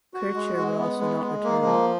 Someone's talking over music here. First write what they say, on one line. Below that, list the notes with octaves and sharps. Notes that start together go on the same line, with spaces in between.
Kircher would also not return.
F#4
G#3
G#3
B3
G#3
G#3
A#3
F3